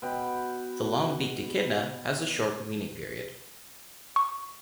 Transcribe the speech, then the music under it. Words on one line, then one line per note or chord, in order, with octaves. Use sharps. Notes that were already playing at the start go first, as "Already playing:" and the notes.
The long-beaked echidna has a short weaning period.
B2 G5 B5
C#6